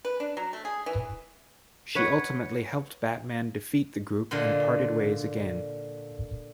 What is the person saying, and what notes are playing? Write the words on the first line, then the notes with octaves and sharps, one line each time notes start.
She ultimately helped Batman defeat the group and parted ways again.
B4
D4
F#3
A3
G#4
E3
B4 C#5 F#5
A#2 D3 F4 D#5